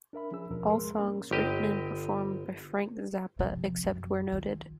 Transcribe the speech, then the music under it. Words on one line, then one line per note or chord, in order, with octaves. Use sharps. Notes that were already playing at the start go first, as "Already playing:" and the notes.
All songs written and performed by Frank Zappa, except where noted.
D4 A#4 E5 B5
F3 C#4 G#4 E6
D#2 B2 F3 A#4
A2 G#3 G#4 A#4 C6
A#3 C#4
G1 G4 D#5
C3 F3
F#2
D#3 F4